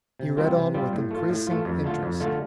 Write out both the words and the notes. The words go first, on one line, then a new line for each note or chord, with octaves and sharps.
He read on with increasing interest.
C3
G3 C4 F4
C3
G3 C4 F4
A2
A3 F4
A2
A3 F4
F2
D3 A3 F4
F2
D3 A3 F4